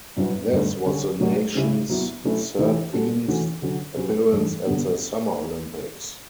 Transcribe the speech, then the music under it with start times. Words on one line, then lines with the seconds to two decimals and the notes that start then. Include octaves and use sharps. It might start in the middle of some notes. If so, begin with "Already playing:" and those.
This was the nation's thirteenth appearance at the Summer Olympics.
0.17 G2 F#3 C#4 E4 B4
0.52 G2 D3 A3
0.86 D3 G3 C#4
1.20 A2 F#3 C#4 G4 C#5
1.55 C#3 G3 C#4 E4
1.90 F#3 B3 E4
2.24 F#3 A3 C#4 E4
2.59 E3 A3 E4 G4
2.93 G3 C#4 F#4 A4
3.28 E3 A3 C#4 F#4
3.62 D3 F#3 C#4
3.97 F#3 C#4 G4 B4
4.32 G2 E3 G3 D4
4.66 G2 D3 G3 B3 D4